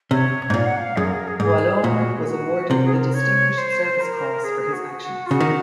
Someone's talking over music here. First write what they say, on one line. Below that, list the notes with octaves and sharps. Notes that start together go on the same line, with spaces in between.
Voillaume was awarded the Distinguished Service Cross for his actions.
C3 C#5
G#2
A#2 F5
F#5
F5
F#2 G#4
A#4
G#4
A#4
G#4
A#4
G#2 G#4
G#4
A#2 F#4
G#4
F#4
C3 C5
A#4
G#4
A#4
C#5
C5
A#4
G#4
F#4
F#4
F4
C#3 F#4
D#3